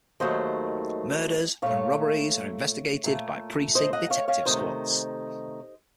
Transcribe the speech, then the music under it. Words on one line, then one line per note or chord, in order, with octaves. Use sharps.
Murders and robberies are investigated by precinct detective squads.
D#2 D#3 F#3 A3 C5 D#5
A#2 A3 C#5 F5
A#2 A3
C5 D#5
D#5 F#5
C#5 F5
C#5 F5
C3 D#3 A3 C5 D#5